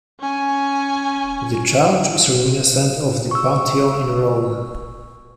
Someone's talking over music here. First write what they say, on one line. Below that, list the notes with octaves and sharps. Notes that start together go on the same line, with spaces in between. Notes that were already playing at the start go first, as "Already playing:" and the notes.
The church is reminiscent of the Pantheon in Rome.
C#4 G#5
C#6 E6